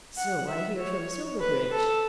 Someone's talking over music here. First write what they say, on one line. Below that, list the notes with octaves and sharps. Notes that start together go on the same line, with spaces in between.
"So I hear from Silverbridge."
F#5
E5
C#5
B4
A4